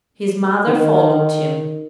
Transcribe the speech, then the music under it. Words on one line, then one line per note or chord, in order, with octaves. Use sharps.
His mother followed him.
D#3